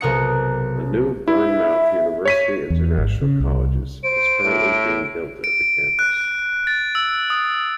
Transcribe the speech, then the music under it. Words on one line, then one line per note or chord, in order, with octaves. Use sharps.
A new Bournemouth University International College is currently being built at the campus.
B1 C3 A#4 F#5 D#6 C#7
E4 E5
C#5 B6 D#7
E2
G#1
C#3
C2
C5 D7
A2
D7
F#6
A6
E6
D#6